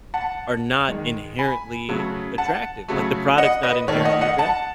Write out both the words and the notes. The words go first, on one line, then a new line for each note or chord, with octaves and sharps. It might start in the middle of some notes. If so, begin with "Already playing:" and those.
are not inherently attractive. Like the product's not inherently attractive.
F#5 A5
D#3 G#3
G#5 B5
C#3 F#3 A3
F#5 A5
C#3 F#3 A3
D#5 F#5
B4 D#5
D#3 A3 A4 C#5
D#5 F#5
D#5 F#5
F#5 A5